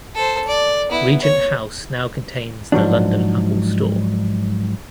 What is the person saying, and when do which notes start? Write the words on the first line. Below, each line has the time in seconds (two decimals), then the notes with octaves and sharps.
Regent House now contains the London Apple Store.
0.15 A4 C5
0.48 D5
0.90 B3 E4
1.22 C#5
2.72 G#2 F3 F#3 D4